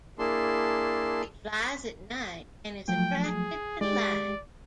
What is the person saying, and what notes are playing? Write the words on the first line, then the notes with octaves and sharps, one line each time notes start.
It flies at night and is attracted to light.
A#3 D4 E4 G#4 A5 C6
F3 F#3 A3 G5
G#4
G#3 G4 D5